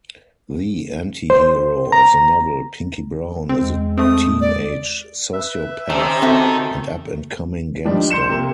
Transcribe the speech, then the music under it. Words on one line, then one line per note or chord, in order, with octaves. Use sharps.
The antihero of the novel, Pinkie Brown, is a teenage sociopath and up-and-coming gangster.
C5
A#5
C4
E2 G#3
A3 C4 D#6
D5
B4 E5
D#3 C#4 G4 C5 A5
C4 F#4 A4 E5
D#3 F3 G3 D4 D#4
C6 G6 C#7 E7
C3 A#3